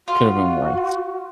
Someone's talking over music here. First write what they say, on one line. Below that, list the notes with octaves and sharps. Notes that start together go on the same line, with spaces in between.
could have been worse.
F4 F#4